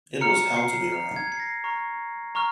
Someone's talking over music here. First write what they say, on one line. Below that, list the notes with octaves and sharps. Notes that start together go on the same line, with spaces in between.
It was hell to be around.
A#5 F6 C#7
C7
A#5 F6
G#6
C7
A#6
A#5 C#6 F6
A#5 C#6 F6